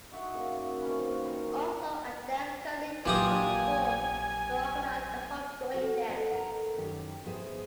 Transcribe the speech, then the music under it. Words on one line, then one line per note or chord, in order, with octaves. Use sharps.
Also, a dance committee was formed to organize the Homegoing Dance.
D#4 F#4 E5 F#5
C#3 A#3
C3 D#3 C#4 B4
A#2 C#6
C5 A#5
A#1 E3 F#3 A#3 F4 G4 G#5 D#6
F#4 A4 F#5
A4 B4 D#5 F#5
A#4 B4 A#5
F#2 D#3 G4
G#2 B3 G#4 C5 E5